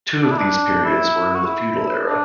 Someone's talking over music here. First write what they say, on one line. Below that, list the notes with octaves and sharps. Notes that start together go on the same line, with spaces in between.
Two of these periods were in the feudal era.
D4
E4
D4
E4
F#4
E4
D4